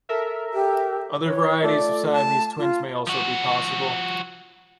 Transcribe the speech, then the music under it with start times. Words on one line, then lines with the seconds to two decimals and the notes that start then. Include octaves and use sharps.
Other varieties of Siamese twins may also be possible.
0.09 A4 A#4 E5
0.53 G4
1.25 E3 C#5
1.63 A3 F4 A4 D5
2.12 A5
2.58 F4
3.07 F3 F#4